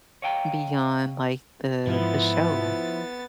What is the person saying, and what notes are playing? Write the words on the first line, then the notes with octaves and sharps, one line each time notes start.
beyond, like, the the show.
C#5 D#5 F5 G5 G#5 A#5
G#2 F3 B3 E4 A6